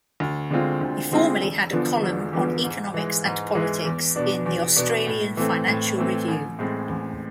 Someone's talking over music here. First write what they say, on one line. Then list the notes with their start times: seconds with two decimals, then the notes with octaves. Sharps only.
He formerly had a column, on economics and politics, in "The Australian Financial Review".
0.20 D2
0.51 D3 G#3 C4 F4
0.81 D2
1.11 D3 G#3 C4 F4
1.42 E1
1.72 E2 D3 F3 B3
2.03 E1
2.33 E2 D3 F3 B3
2.64 G#2
2.94 E3 G#3
3.25 G#2
3.55 E3 G#3
3.85 E2
4.16 B2 B3 D4
4.46 E2
4.76 B2 B3 D4
5.07 A2
5.37 E3 A3 C4
5.68 A2
5.98 E3 A3 C4
6.28 A1
6.59 A2 G#3 C4
6.89 A1